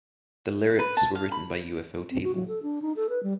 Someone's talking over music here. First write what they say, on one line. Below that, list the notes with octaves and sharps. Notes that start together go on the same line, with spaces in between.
The lyrics were written by ufotable.
B4
A5
F5
B5
C4
F#4
F#3
A4
D4
D#4
A4
B4
G3